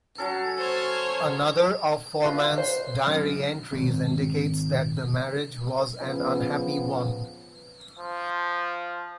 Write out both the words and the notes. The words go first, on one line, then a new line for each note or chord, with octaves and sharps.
Another of Forman's diary entries indicates that the marriage was an unhappy one.
F#3 C#4 A4
C5 C#5
D#4 F4 F#4 B4 D#5 F5
C5
F#2 F6
G#1 C4
C#3 F3 B3
F3